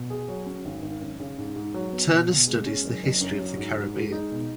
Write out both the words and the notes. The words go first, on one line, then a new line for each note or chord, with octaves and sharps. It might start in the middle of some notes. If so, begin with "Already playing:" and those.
Turner studies the history of the Caribbean.
Already playing: B2
G#4
F#3
C#4
G#1
G#1
F#2
C#3
G#2
G#2
F#3
B3
B2
B2
G#3
C#4
F#1
F#1
F#2
F#3
G#2
G#2
G#3
D#4
B2